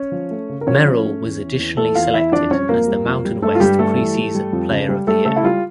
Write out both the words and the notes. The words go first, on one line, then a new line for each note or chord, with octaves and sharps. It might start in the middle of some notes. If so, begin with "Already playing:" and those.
Merrill was additionally selected as the Mountain West Preseason Player of the Year.
Already playing: C#4 C#5
F3
A3
C#3
A#4
F3 C#4 C#5
F3
A3
E2
E3
E2
E2 A3 A4
E2 F4 F5
E3 E4 E5
F2 D4 D5
G3 C#4 C#5
F2 A#3 A#4
G3
F2
G3
G2 A3 A4
F4
G2 G3 G4
G3 A3 A4
E3
G3
G3
F2
C#3
G3
G3 A3 A4
C#3 A3 A4
E4
G3 F4